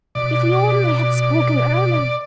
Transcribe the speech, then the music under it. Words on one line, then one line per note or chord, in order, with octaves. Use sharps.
If he only had spoken earlier!
B2 D5